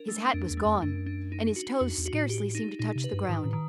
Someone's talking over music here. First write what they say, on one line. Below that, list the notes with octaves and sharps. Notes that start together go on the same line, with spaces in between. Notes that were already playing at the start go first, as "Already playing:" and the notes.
His hat was gone, and his toes scarcely seemed to touch the ground.
Already playing: D4 A#4
A3
F2 D4
E2
A3
F2
F#2 D4
D4
D#4
F#4
F2 F#4
E2
F#4
A2
G4
D#4
A#2 D#4
C3
B4
G2
G#2 D#3
A2
D#3